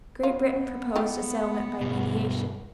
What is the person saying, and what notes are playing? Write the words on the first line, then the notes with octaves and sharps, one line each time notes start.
Great Britain proposed a settlement by mediation.
B3 F4
A3 F4 G4
G2 B2